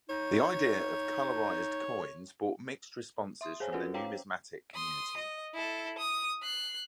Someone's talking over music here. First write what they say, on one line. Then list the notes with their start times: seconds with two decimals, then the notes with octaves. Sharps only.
The idea of colorized coins brought mixed responses from the numismatic community.
0.09 D#4 C#5
3.41 E5 C6 D#6
3.60 G#4 C5 C#5 G#5
3.72 C#4 F4 F#4 A4 B4 F#5
3.94 C5 C#5 F5 G5 A#5 D6
4.75 C6 D#6
5.17 D#5
5.54 E4 A4
5.98 D#6
6.43 F#6 C7